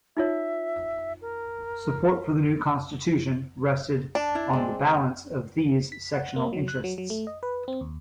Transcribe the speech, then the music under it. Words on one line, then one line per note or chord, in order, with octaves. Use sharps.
Support for the new Constitution rested on the balance of these sectional interests.
D#4 F4 C#5 E5
A#4
D4 A5
E4
G#3 C4 D5
B6
F#5
A#3
F#3
F#6
F#3
F#3
A3
D#5
B4
C4
D#2